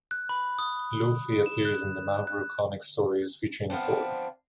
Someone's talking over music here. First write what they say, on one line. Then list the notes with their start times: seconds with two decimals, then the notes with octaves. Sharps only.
Laufey appears in the Marvel Comics stories featuring Thor.
0.11 F#6
0.29 B5
0.59 D#6
1.46 E7
1.65 F#6
2.27 F#6
3.70 F3 B3 C4 D4